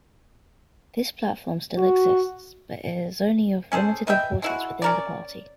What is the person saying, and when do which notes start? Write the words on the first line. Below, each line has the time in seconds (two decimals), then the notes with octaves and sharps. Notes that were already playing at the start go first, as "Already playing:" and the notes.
This platform still exists, but it is only of limited importance within the party.
1.77 F#4
3.72 C#4 G#4 A4 C5
4.07 B4 D#5 E5 G5
4.42 G#3 E4 F#4
4.82 C#4 A#4 D5